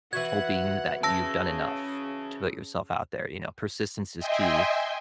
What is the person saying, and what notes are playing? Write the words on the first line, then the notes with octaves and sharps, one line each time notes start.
hoping that you've done enough to put yourself out there. You know, persistence is key,
E3 E4 F#4 F#5 G#6
C#3 A5 E6 A#6
D#5 E5 G5 G#5 C6